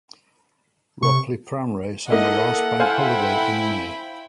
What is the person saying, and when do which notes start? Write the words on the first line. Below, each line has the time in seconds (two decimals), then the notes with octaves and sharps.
Ropley pram race on the last bank holiday in May.
1.03 C3 C#6
2.10 A#3 E4 A4 D#5 F#5
2.80 E4 C5 F5 G5 G#5 B5